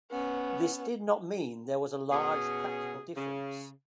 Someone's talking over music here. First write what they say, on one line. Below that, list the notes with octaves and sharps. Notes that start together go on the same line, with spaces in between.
This did not mean there was a large practical difference.
B3 C#4
B2 C#4 G#4
C#3